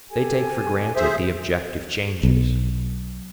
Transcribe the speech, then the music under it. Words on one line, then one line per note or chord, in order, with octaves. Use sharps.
They take for granted the objective changes.
G4 A4 G#5
G#4 C5 E5
B1